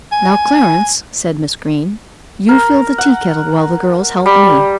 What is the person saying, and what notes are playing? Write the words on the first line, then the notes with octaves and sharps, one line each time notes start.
"Now, Clarence," said Miss Green, "you fill the teakettle while the girls help me."
G#5
A#4
F#5
G3